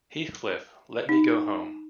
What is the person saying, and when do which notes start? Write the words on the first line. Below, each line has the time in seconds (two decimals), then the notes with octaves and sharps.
Heathcliff, let me go home!
1.09 D#4